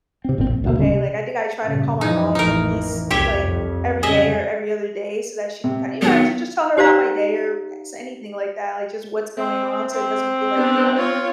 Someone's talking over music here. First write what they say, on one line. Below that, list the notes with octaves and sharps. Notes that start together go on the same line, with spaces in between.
okay, like, I think I try to call my mom at least, like, every day or every other day so that she can kin you know, to just tell her about my day or s anything like that, like, just what's going on, so it doesn't feel like, you know,
C3 C4
G1 A#2 E3 C4
A#1
D2 B2 A#3
D1 C#3 G3 C#4
C3
G2 A#2 C#3
F#2 E3 F3 D#4
A1 F2 E3 D#4 A#4
C2 F2 G4 C#5 E5
F2
C#3 G3 G#4 D#5 E5
C3
D#3 F#3 B3
D#4 G4 C5 D5 F5 A#5
C4
C4
B3 D4
F4 C#5